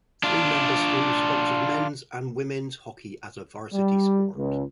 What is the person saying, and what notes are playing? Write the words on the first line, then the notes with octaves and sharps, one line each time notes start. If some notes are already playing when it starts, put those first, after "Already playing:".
Three member schools sponsor men's and women's hockey as a varsity sport.
D4 F4
G3
C#2